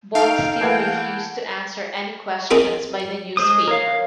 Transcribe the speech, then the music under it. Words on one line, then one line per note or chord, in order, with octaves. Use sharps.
Bolkestein refused to answer any questions by the newspaper.
D#4 A4 F5 G5
E3 A3 A#3 F#5 G#6 C7
C4 G#4 A#4 D#5
G#3 G#4 C5 D#6
A#4 C#5 F5